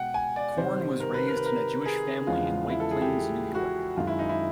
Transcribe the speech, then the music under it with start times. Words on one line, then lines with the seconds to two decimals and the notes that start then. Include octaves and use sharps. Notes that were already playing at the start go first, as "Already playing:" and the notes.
Corn was raised in a Jewish family in White Plains, New York.
Already playing: B2 G#3 F#5 G5
0.14 G#5
0.36 D5
0.57 C3 D#3 G3 C5
1.00 A#4
1.14 B4
1.28 A#4
1.36 B4
1.46 A#4
1.85 G#4
2.27 E2 C#3 F3 G#3 F4
2.70 E4
2.80 A4
2.91 G#4
3.02 G4
3.55 F#4
3.97 F#2 D#3 G#3 F4
4.07 E4
4.19 D#4
4.29 E4